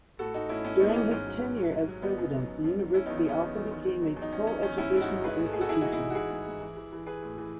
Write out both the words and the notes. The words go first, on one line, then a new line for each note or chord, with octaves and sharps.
During his tenure as president, the university also became a coeducational institution.
A2 F#4 A4
A2 D#4 F#4
A2 C#4 E4
A2 C#4 E4
A2 B3 D#4
E3 C#4
G#2 C#4
F#3
G#2
F#3
F#3
F#3
D#3 B3 D#4
F#2
F#3
F#2
F#2
F#3
F#3 C#4 E4
B3 D#4
E2
B3 D#4
E2 C#4
E2 B3 D#4
E2
D#3
E2
F#3
E2
D#4
E2 C#4
F#3 C#4
E2 C#4
G#2 C#4 E4
G#2 E4
D#4 F#4
G#2
G#2 G#4 B4
G#2
A4
G#2 G#4
F#4 A4
E3 E4 G#4
G#2 D#4 F#4
E4 G#4
E3
F#4
E3 E4 G#4
G#2
G#2
E3
E3
E3
E3 G#4 B4
A2
E3